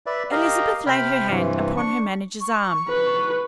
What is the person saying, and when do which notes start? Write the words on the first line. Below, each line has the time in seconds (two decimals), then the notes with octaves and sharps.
Elizabeth laid her hand upon her manager's arm.
0.06 B4 D5 E5
0.32 G4 A#4 D#5 F5
0.87 C3 G5 B5 F6
1.30 G2 C3 E3
1.77 D4 C#6
2.41 C#6
2.88 B4